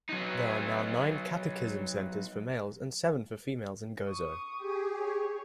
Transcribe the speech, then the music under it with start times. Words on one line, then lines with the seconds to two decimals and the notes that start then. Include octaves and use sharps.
There are now nine catechism centres for males and seven for females in Gozo.
0.09 F#3 D#4
4.06 C#6 D#6
4.57 G4 G#4
4.99 C#5